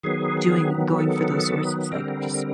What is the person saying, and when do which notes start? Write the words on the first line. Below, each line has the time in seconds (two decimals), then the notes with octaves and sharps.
doing going for those sources, like just
0.04 D#3 F#3 B3 G#4
0.98 A4
1.92 D3 G3 C4 A#4